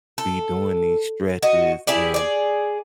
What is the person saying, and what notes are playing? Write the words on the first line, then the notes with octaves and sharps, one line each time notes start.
be doing these stretches and
A4
F#4 D#5
E4 G4 G#4 D5
G#4 D5